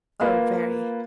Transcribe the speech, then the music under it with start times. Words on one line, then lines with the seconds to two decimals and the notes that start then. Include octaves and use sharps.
"Oh, very."
0.21 A#3 F4 B4